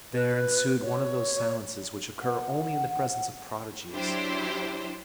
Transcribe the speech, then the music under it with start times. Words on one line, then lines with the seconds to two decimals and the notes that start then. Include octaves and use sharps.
There ensued one of those silences which occur only in the presence of prodigies.
0.13 B4
0.82 C#5
2.22 F#5
3.93 F#3 D4 E4 G4 C5